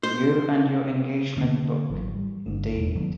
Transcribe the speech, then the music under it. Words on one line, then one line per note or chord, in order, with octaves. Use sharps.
You and your engagement book, indeed.
C5
D3 A#3
G#1 E3 F#3
G3
G1
E1
D#3 F#3 B3